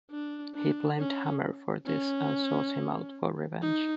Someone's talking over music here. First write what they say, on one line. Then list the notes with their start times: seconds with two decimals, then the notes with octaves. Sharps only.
He blamed Hammer for this, and sought him out for revenge.
0.11 D4
0.55 D4
0.99 C#4
1.86 C#4
3.62 D#4